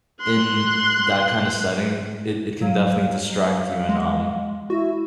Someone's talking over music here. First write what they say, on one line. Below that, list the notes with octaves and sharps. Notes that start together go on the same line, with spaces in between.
in that kinda setting, it it can definitely distract you, and, um,
C6 F#6
F#3 F5
F5
G#3
E4 F#4